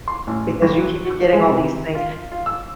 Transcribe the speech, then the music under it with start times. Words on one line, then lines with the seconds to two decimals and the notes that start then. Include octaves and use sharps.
Because you keep forgetting all these things.
0.08 C6
0.27 A1
0.62 B1
0.78 F#3
1.05 F#4
1.33 G#3
1.51 C3
1.95 F4
2.32 F4
2.46 E6